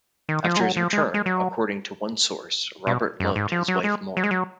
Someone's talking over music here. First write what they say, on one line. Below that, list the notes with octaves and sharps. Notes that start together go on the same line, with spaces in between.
After his return according to one source Robert loved his wife more.
D#3
F3
G#3
F#3
F3
G#3
G#3
F#3
B2
F#2
G#2
F3
F#3
G#3
F#3
G#3
F#3